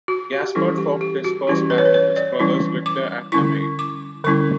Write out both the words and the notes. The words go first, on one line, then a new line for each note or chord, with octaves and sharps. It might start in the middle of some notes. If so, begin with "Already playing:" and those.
Gaspard formed his first band with his brothers Victor and Amade.
F#4
G4
E3 G3 C#4 E4 A4
G4
G4
F#4
E3 G3 C#4 E4 G4
B4
C#5
B4
C#5
D5
E3 G3 C#4 E4
D6
D3 G3 C#4 E4 C#6
D6
D3 G3 C#4 E4 C#6